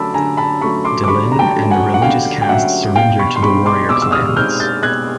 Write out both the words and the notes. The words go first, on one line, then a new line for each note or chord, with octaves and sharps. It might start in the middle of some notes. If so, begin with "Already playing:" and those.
Delenn and the religious caste surrendered to the warrior clans.
Already playing: D3 F#3 A3 C#4 A5 B5 D6 E6
D3 G#5 A#5
A5 B5
F#3 A3 C#4 B5 C#6
C6 D6
D6
D3 B5 C#6
A#5
G5 A5
F#3 A3 C#4
F#5 G#5
F#5
D3 F5 G5
G5
F#3 A3 C#4 E5 F#5
B2 F5 G5
B5 C#6
C6
G#3 C4 D#4 B5 C#6
C6 D6
B2 D6 E6
E6
D#6 F6
G#3 C4 D#4 F6 G6
G6 A6
B2 F#6 G#6